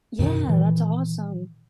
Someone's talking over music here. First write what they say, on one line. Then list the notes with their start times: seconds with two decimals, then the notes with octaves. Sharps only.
Yeah, that's awesome.
0.19 F#2 B2 D#3
0.48 A#2 D#3 E3